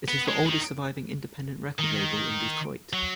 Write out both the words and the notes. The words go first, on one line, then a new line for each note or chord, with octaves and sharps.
It is the oldest surviving independent record label in Detroit.
B3
G#3
D#3
D#3
F#3